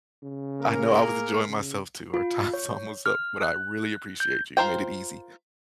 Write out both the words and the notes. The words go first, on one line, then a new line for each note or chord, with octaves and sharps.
I know, I was enjoying myself too. Our time's almost up, but I really appreciate you, you made it easy.
C#3
A#3 G#4 A#4
C#3
F4
C#5
F6
F#6
G6
F4 A#4 C5 G5